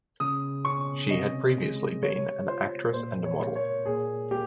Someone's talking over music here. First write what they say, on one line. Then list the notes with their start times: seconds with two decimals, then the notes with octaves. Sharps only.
She had previously been an actress and a model.
0.20 C#3 D#6
0.65 C#4 C#6
1.10 C3 D#5
1.57 G#3
2.03 G3 C#5
2.48 F4 C5
2.93 A#2 C5
3.25 C#5
3.40 A#3
3.56 C#5
3.86 A#2 G#4
4.31 A#3 G4